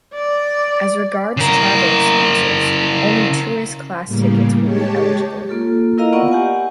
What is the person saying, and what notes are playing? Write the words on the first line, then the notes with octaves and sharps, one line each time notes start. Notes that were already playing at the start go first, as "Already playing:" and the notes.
As regards travel expenses, only tourist class tickets will be eligible.
D5
C#3 A#4
A2 C#3 G3 A#3
G#3 G4 C#5 A5
A#3 F4 A4
E4 A#4 D#5 F5 A#5
B3 F4 D5 F#5 C#6
G4 F#5 G#5